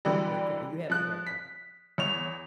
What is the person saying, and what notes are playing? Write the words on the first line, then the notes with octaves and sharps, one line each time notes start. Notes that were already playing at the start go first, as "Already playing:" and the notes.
okay, you have a great one.
D3 E3 F#3 G3
F3 F#6
B6
E2 C#5 F7